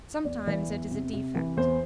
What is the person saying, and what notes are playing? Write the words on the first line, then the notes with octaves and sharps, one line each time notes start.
Sometimes it is a defect.
E2 D5
E3 D5
E2
C3
C3
E3
E2 C5